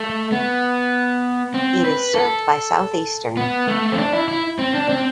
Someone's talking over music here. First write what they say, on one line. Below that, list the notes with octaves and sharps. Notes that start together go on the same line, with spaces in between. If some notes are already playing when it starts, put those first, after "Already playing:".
It is served by Southeastern.
Already playing: A3
B3
C4
B4
A4
B3
A3
C4
D4
E4
E4
C4
D4
C4